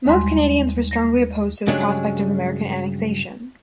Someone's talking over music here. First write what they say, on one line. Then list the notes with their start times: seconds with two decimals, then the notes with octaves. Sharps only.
Most Canadians were strongly opposed to the prospect of American annexation.
0.06 D#2 G3 G#3 C6
0.91 A#6
1.67 G2 C#3 F#3 G#3 D4